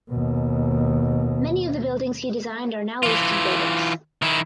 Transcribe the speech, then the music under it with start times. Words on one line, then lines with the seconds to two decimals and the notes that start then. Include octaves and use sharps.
Many of the buildings he designed are now listed buildings.
0.10 D#2 B2
3.03 E3 F4
4.22 D#3 E4